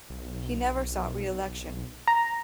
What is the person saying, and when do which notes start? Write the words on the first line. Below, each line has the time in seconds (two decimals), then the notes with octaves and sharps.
He never sought re-election.
0.10 B1
2.08 A#5